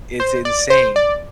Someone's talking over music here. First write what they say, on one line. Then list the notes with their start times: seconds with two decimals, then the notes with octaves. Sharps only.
It's insane
0.20 C5
0.45 D5
0.70 C5
0.96 D5